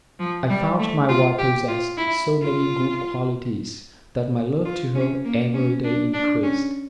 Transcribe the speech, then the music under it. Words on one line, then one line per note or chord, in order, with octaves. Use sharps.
I found my wife possessed so many good qualities, that my love to her every day increased.
F3
G3
A3
F4
G4
F4
E4
F4
F4
C#4
A#3
C#4
D4
D4
C#4